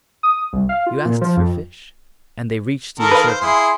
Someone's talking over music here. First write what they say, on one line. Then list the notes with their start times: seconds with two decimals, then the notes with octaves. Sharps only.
You asked for fish, and they reached you a serpent.
0.23 D#6
0.53 C2
0.69 F5
0.86 F4
1.05 A#2
1.21 F3
1.37 F2
2.99 D#3 A4 A#4
3.11 B4 F5
3.27 C5
3.41 E4 G#4 C6